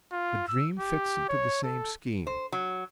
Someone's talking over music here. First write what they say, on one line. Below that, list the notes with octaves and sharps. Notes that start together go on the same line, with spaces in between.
The dream fits into the same scheme.
F4
E6
G4
C#5
A4
C5
F#3